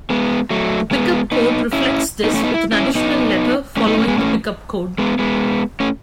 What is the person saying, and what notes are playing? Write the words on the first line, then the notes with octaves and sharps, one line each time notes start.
The Pickup code reflects this with an additional letter following the pickup code.
G#3 B3
F#3 A3
G#3 B3
B3 D#4
C#4 E4
B3 D#4
A3 C#4
B3 D#4
E4
C#4 E4
B3 D#4
A3 C#4
B3 D#4
A3 C#4
G#3 B3
A3 C#4
G#3 B3
G#3 B3
A3 C#4